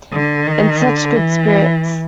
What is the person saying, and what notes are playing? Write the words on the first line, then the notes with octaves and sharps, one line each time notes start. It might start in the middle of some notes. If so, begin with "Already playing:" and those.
In such good spirits.
D3
D#3
D3
E3